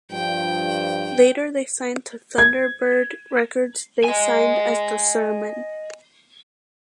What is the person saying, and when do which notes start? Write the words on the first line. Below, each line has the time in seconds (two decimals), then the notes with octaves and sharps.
Later they signed to Thunderbird Records they signed as The Sir Men.
0.12 G2 F3 G5
2.38 G#6
4.04 D#5 G#5